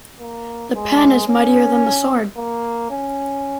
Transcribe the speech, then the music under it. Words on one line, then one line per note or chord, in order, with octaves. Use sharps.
The pen is mightier than the sword.
A#3
G#3
C#4
A#3
C#4